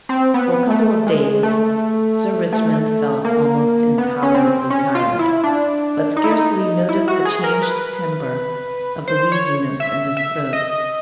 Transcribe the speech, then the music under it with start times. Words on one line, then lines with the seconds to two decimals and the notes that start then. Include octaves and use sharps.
For a couple of days Sir Richmond felt almost intolerably tired, but scarcely noted the changed timbre of the wheezy notes in his throat.
0.09 C4
0.34 B3
0.70 A3
1.07 G#3
1.43 A3
2.53 A3
3.25 A#3
3.98 B3
4.23 C#4
4.35 C4
4.70 C#4
4.95 F4
5.19 E4
5.43 D4
6.17 D#4
6.24 E4
6.31 D#4
6.89 E4
7.08 F#4
7.25 G#4
7.44 A#4
7.62 B4
9.08 C5
9.32 C#5
9.80 E5
10.17 E5
10.53 D#5